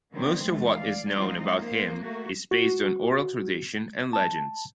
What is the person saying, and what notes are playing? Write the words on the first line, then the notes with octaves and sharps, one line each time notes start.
Most of what is known about him is based on oral tradition and legends.
D3 D#3 F#3 B3 C4
D2 E3 G#3 A3
D5 F5
F3 G3 G#3 C4 D#4 F4
A#3 C5
A3 A#3 F#4 A#4
F#4
A5